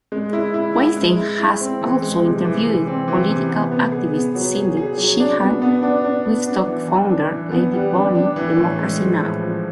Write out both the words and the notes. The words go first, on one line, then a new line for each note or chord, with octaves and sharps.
Weinstein has also interviewed political activist Cindy Sheehan, Wigstock founder Lady Bunny, Democracy Now!
G#3
E4
E4
E4
G#3
E4
E4
C4
E3
G#3
C3
E3
E3
C4
E3
C3
B3
B3
G#4
B3
F#3
G#4
G#4
F#3
D4
B3
B3
D4
D4
B3
D4
E3
E3
D4
E3
B3
G3
D4
D4
E3
A2
G#3
F3
A2
F3